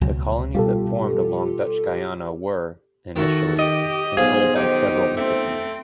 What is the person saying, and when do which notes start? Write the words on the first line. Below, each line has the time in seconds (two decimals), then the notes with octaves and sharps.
The colonies that formed along Dutch Guiana were, initially, controlled by several entities.
0.01 C#2 B2 F#3
0.55 B2 G3 F4 G4 A4
3.16 D#3 E4 F#4 A4
3.59 G4 D#5
4.17 B1 F4 G#4 C5
4.55 D#3 D#4 G4
5.17 A3 C4